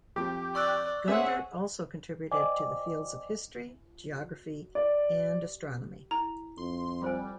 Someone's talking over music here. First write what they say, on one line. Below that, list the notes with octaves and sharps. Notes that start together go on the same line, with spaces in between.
Gundert also contributed to the fields of history, geography and astronomy.
F2 F3 G4
D5 C#6 E6 F#6
C#4 G#4 C5 E5 F#5
C5 D5 D#5 G5 G#5 D6
D5
E4 A#5
F2 C6
G3 F4 C5 G#5